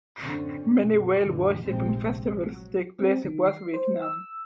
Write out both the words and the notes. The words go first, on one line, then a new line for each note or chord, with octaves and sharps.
Many whale worshiping festivals take place across Vietnam.
F#2 A2 D3 C4 C#4
F#2 B2
F#2 A#2 D3 E3
F1 A#1 G#2 C3 G#3 C4
F#3
C4
D#3
C7
C5
E6